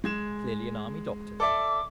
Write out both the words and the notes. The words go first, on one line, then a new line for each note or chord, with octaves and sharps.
Clearly an army doctor, then.
G#3 G#6 E7
A4 D5 E5 D6